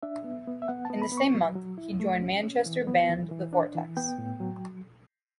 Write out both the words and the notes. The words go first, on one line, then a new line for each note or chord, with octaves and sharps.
In the same month, he joined Manchester band The Vortex.
D4 E5
B3
B3
E5
B3 F#5
A5
B3
B5
B3
C#6
F#3
F#3
E4
A3
C#4
C#4
E3
B3
E3
E3
D4
E3
B3 G5
A2
F#3